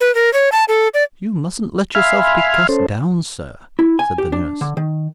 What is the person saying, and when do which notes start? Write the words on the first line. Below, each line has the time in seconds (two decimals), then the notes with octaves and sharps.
'You mustn't let yourself be cast down, sir,' said the nurse.
0.01 B4
0.15 A#4
0.33 C#5
0.52 A5
0.68 A4
0.94 D5
1.95 E5 F5 G#5 B5 C6 F6
2.69 C#4 A4 C5
3.79 E4
3.99 G#5
4.18 G4
4.32 D4
4.61 D3
4.77 D#3